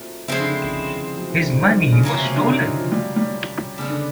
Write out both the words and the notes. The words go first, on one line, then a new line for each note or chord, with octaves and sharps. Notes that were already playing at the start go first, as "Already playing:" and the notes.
His money was stolen.
Already playing: A#2 D#3 F#3 A3 C4
C#3 F3 G#3 C4 E4
D3
D3
D#3
F#3
E3
D3
D#3
D3
D#3
D3
C#3
C#3 F#3 A#3 C#4 F4
C3
C3
D3
D#3
E3
F3
G3
G3
C#3 G3 B3 D4
D3